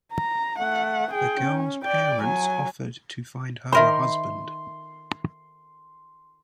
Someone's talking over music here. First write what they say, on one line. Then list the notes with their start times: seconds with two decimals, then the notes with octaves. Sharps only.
The girl's parents offered to find her a husband.
0.13 A#5
0.59 A3 F#5
1.12 G#4 G5
1.41 C#4
1.83 D5 G5
2.22 F#3 G#5
3.73 D#3 A#4 C5 E5 B5 C6